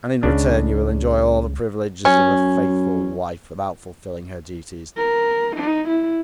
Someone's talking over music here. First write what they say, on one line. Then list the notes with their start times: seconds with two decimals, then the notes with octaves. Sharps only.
And in return you will enjoy all the privileges of a faithful wife without fulfilling her duties.
0.23 C#2 C#3 D4
2.05 F#2 C#4
4.97 A#4
5.56 D#4
5.88 E4